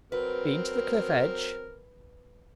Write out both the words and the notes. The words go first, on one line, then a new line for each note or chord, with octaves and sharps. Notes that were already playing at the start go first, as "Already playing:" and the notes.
"Been to the cliff edge?"
F#3 C4 A#4 B4